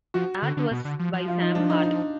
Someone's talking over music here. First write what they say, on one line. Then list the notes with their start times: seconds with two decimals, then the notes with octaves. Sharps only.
Art was by Sam Hart.
0.14 F3 F#4
0.42 D3
0.57 D3
0.71 B2
0.85 D3
0.99 F3
1.13 F3
1.28 F4
1.42 D#4
1.55 D4
1.70 D#4
1.83 D#4